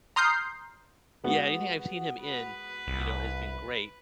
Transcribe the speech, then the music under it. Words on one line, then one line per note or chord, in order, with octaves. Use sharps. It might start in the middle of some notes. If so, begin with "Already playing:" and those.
yeah. Anything I've seen him in, you know, has been great,
A#5 C6 D#6 F6 G6 C7
G#3 B3 F#4
B4
C2